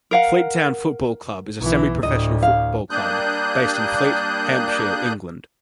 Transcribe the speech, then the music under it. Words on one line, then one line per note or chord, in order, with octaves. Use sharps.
Fleet Town Football Club is a semi-professional football club based in Fleet, Hampshire, England.
A#4 F5 F#5
B1 E3
D2 A2 D#5
F5
G3 A#3 D4 D#6 F#6 G6